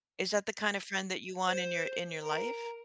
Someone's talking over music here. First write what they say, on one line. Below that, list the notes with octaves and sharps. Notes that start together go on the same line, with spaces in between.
Is that the kind of friend that you want in your in your life?
C5
A#4